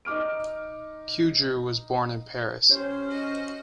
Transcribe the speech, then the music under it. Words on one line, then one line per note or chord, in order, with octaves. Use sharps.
Queudrue was born in Paris.
D#4 D6 F6 D7
C#4 G4 C5 C#5
F#4 D#5